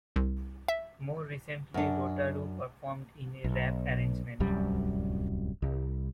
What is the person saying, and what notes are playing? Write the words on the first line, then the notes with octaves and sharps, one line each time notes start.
More recently Rotaru performed in a rap arrangement.
C2
E5
F#2 D4
B1
D1 C2 F#2 G3
C2